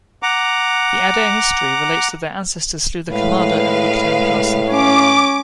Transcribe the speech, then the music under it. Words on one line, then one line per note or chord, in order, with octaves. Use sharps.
The Adair history relates that their ancestor slew the commander of Wigtown Castle.
F#5 A#5 D6
A2 G#3 B4 F5
C#4 D6